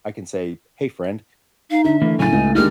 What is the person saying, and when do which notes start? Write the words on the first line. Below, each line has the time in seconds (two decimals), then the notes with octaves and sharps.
I can say, "Hey friend,
1.71 D#4 F5
1.84 D3 E5
2.02 E3 A3 A#3
2.19 A2 C#3 F#3 C#4 G#5 A6
2.33 C#2 D#4
2.55 D3 D#3 G#3 D#4 G4 A#4 F6